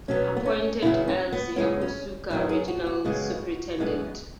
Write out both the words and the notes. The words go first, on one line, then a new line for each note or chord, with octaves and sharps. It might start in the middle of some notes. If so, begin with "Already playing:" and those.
Appointed as Yokosuka Regional Superintendent.
B2 F#3 B3 C#4
B3
C#4
E2 C#3 F#3 B3 E4
C#4
B3
F#2 C#3 G#3 B3 C#4
C#4
F#2 F#3 B3 E4
G#4
F#4
F#4
F#2 C#3 G#3 B3
F#2 E3 G#3 B3